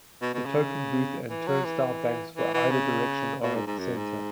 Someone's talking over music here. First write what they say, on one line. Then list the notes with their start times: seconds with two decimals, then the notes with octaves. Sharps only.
The token booth and turnstile banks for either direction are at the center.
0.22 B2
0.34 B2
0.45 C#3
1.29 E3
1.47 F#3
1.64 E3
2.35 E3
2.54 E3
2.71 C#3
3.43 B2
3.55 G#2
3.67 G#2
3.79 F#2
3.97 G#2